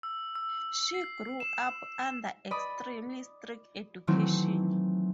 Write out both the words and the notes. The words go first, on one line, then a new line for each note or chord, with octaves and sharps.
She grew up under extremely strict education.
E6
E6
C7
E7
D5 D#5 B5 D#6
D#3 E3 F#3 A3 C4 E4